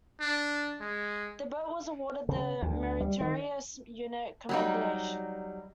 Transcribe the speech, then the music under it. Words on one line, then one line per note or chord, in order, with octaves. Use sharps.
The boat was awarded the Meritorious Unit Commendation.
D4
G#3
C#3
D2
G3
D#3
F#3 G3 D#4